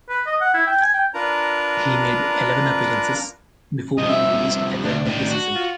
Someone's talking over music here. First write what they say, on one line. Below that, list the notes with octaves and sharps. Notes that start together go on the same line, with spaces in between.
He made eleven appearances before being released at the end of the season.
B4
D#5
F#5
E4
G5
G#5
G5
D4 F4 A#4 B4 A#5
C2 F3 D#5
E5
D2 D4
A2 D#3
F#4
F4